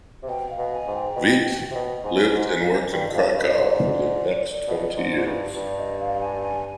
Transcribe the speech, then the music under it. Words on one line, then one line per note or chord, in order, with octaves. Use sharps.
Veit lived and worked in Krakow for the next twenty years.
C3
B2 G5
F5
B2
G#5
G#2
G5
B2
C3
B2
G#2 G#5
B2
G#2
G#5
F2
G2 G5
D#5
F2 F5
G2 D#5
G2
D#5
G#2 D5
B2
G#2
G#2
G2
G2 D5
D#5
F5
G#5